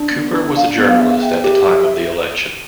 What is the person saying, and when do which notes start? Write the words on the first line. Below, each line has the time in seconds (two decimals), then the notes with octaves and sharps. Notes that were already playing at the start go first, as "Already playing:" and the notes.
Cooper was a journalist at the time of the election.
Already playing: D4
0.11 B3
0.34 D4
0.55 D4 F5
0.78 B3
0.89 F5
1.00 G#4 E5
1.10 F5
1.22 E5 G5
1.44 G4